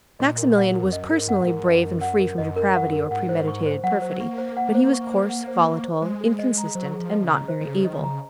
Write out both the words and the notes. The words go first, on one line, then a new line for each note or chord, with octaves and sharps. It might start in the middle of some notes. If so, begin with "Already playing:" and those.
Maximilian was personally brave and free from depravity or premeditated perfidy, but he was coarse, volatile, inconsistent, and not very able.
A#2 D#5
A#4
F#5
A#4
F2
F#2 D#5
G#2 A#4
F#2 F#5
A#2
G#2 A#4
F#2 D#5
A#4
F#5
A#4
F#2 D#5
A#4
F#5
A#4
G#2 F#5
C5
C#6
C5
F#3 F#5
C5
A#3 C#6
C5
F#5
C5
C#6
C5
F#5
C5
C#6
C5
G#3 C5
G#4
D#5
A#5
F#3 C5
G#4
F3
D#5
C#3
A#5
C5
D#3
C#3 G#4
D#3 D#5
C#3 A#5